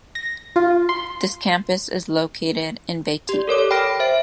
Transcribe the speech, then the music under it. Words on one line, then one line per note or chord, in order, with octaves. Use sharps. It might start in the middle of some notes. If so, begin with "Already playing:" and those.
This campus is located in Beytepe.
A#6
F4
C6
G4 D5
A4 A#4 C#5 D6
G5 B5 F6 A#6 D7
C5 E5 D7